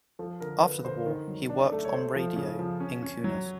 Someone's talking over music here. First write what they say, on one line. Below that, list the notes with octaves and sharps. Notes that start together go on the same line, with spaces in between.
After the war, he worked on radio in Kaunas.
F3 A4
D3 A#4
D3 B4
D3 C5
D#3
F#3
D4
A3
C#5
A3 C5
F3
C#3
F3
C#4
C#4
F#3